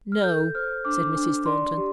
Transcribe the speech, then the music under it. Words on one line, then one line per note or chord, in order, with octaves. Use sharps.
'No!' said Mrs. Thornton.
F6
A4 G6
C5 F6
D4 D6
D4
D5 C6
G4